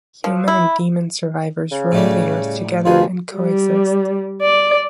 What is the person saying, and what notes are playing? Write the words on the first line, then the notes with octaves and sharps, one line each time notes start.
Human and demon survivors roam the Earth together and co-exist.
F3
E4
C#3
A2 G3 A3
D2 G2 F4 G#4
G3
D5